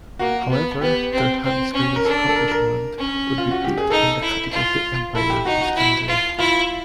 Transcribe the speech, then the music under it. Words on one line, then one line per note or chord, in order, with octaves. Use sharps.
However, Turhan's greatest accomplishment would be built in the capital of the empire, Istanbul.
A#3 F#4
B3
B3 G4
C4
C4
C#4
A#4
D4 A4
A4
A#4
A#4
C#4
F4
F#4
G4
G#4
D#4 A4
E4
F4
E4 A4
G4
D#4 F#4
F#4
E4
F4
E4 F4